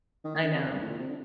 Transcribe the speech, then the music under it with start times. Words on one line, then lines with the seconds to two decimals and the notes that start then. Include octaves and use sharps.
I know.
0.24 D#3
0.35 D#3
0.44 D3
0.53 C3
0.62 F2
0.71 G2
0.81 A2
0.89 A#2
0.99 C3
1.08 D3